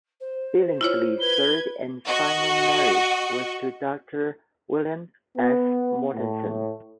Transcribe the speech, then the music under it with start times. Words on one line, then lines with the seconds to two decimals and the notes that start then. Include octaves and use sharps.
Billingsley's third and final marriage was to Doctor William S. Mortensen.
0.20 C5
0.81 E4 F4 C#5
1.20 B4 G#6 G7
2.06 F#4 D#5 C#6
5.36 B3
6.12 A2